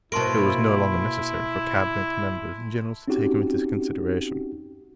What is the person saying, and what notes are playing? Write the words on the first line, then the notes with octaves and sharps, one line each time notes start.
It was no longer necessary for cabinet members and generals to take him into consideration.
B2 A#3 E4 A5 C6 D7
C4 C#4 D#4 F#4 G4